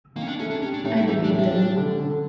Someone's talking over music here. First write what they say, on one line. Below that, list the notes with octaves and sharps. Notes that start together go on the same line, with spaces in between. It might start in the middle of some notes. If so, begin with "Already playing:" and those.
I believe them.
D#3 A#3
C#4
D4
A3 C#4
D4
G3 C#4
D4
A2 D#4
E4
E3 D#4
D4
A2
D4
G3
D3
D3